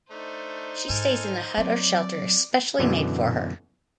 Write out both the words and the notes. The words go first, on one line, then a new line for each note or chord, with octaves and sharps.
She stays in a hut or shelter specially made for her.
A3 D4 D#4 C5
G#2 A4 G#5 F6
F#3 C4 D5
F#2 B2 D3 E3